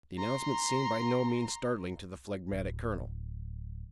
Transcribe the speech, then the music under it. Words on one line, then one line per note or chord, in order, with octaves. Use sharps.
The announcement seemed by no means startling to the phlegmatic colonel.
A#5 C6
D1